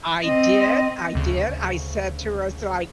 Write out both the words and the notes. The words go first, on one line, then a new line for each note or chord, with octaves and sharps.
I did, I did, I said to Rosa, like,
C4 D#5
D2 C#3